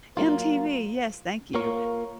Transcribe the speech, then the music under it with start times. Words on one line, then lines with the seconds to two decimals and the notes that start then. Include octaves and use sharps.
MTV, yes, thank you.
0.17 F#3 A#3 F4
1.55 A#3 F4 A#4 C#5